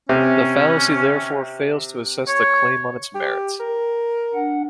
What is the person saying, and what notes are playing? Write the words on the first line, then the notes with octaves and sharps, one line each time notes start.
The fallacy therefore fails to assess the claim on its merit.
C3 C#4
C#5
G4
A#4
D4 F#5